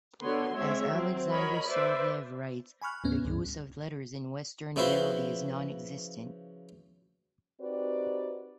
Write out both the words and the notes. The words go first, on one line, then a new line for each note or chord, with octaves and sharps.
As Alexander Soloviev writes, the use of letters in western heraldry is nonexistent.
D3 B3 F#4 B4 C#5 C6
G#3 C4 C#5 E5
F#3 C4
F#4 A#4 C#5 D#5 B5
B4 C5 D5 E5
G#5 B5 C#6 F6 F#6
D#2 A2 B3 C#4
C#2 G2
C#3 F3 E4 F#4 B4 C5
C4 D#4 F#4 G4 B4 D5